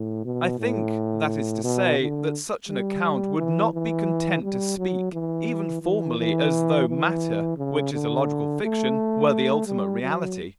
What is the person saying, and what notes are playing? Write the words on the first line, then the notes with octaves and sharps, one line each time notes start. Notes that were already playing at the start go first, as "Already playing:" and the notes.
I think, that is to say, that such an account would not be content to speak, even formally, as though matter, which is a logical fiction, were the ultimate reality.
Already playing: A2
B2
A2
B2
D3
G3
E3
E3
G3
F#3
E3
E3
E3
E3
C#3
D3
A3
G3
F#3